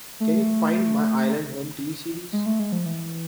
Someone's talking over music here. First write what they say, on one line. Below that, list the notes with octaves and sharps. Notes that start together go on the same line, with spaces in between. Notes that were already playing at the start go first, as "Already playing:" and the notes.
Can you find My Island Home TV series?
A3
G#3
A3
G#3
F3
E3